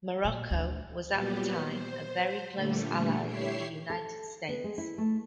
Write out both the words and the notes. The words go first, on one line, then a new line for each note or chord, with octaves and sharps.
Morocco was at the time a very close ally of the United States.
A#2
D2
A#2 F#3 G3 B3 G4
C5
A#2 D3 G3 A3
E4 G4 C#5 E5 C7
A4
B3
G#3
E4
A3